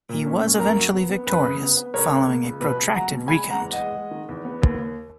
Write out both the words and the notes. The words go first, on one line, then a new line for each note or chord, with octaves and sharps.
He was eventually victorious, following a protracted recount.
A#2
C#4
A#2
F#2 A#4
F#3
B3
B3
F#2 B4
C#3
B3
B3
C#2 A#4 C#5
C#2
A#3
C#2
B2 B4
C#2
F#3 F#5 A#5
B2
G#3 G#5 B5
G#3
F#5 A#5
E2
D#5 F#5
G#3
G#3
D#3
E2
B3
D#2
D#2